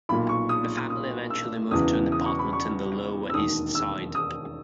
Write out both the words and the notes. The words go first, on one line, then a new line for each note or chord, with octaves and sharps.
The family eventually moved to an apartment in the Lower East Side.
B1 A#2 B5
C#6
D#6
D#6
E6
E1 E2 C#3 E3 D#6
D#6
C#6
B5
C#6
E6
E1 D#2 D#3 D#6
E6
D#6